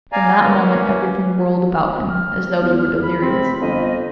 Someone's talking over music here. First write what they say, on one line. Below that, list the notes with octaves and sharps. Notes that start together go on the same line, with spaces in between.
From that moment everything whirled about him, as though he were delirious.
D5 F5 G#5 A#5
E3 A#3 C#4
F6
E2
B5
C3 C4
G1 F2 D#5